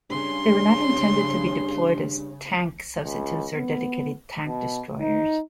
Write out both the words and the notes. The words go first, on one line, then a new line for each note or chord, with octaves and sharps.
They were not intended to be deployed as tank substitutes or dedicated tank destroyers.
G2 C#3 C6
C#2
B3
B2
D#4